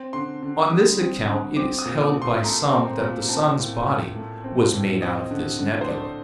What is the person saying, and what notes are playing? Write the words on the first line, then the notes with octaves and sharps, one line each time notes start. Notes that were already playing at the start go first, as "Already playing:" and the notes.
On this account it is held by some that the sun's body was made out of this nebula.
Already playing: C4
D3 C6
D3
G3 D#6
C4
D3
C4 D6
D#6
A#2
D6
A#2
C6
A3 A#5
C4
A#2
C4 A5
A2
A2
A3
C4
A2
C4 D#5
D3
D3
C5
A3 D5